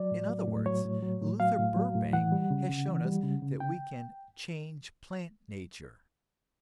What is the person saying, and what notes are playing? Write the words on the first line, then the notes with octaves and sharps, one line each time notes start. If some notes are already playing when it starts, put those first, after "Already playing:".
In other words, Luther Burbank has shown us that we can "change plant nature."
Already playing: F#3 D5
A2
F#3
A2
F#3 C#5
A2
F#3
A2
F#3 F5
A2
F#3
A2
E3 F#5
G3
C#3
C#3
E3
G3
C#3
C#3
G5